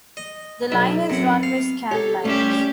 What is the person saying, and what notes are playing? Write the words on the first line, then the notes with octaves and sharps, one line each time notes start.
The line is run by Scandlines.
D#5
B1 D#4 D5 E5
F#2 B3 C4 F#5
F5
G4 A4 C#5
G3 A3 C#4 G4 C5 E5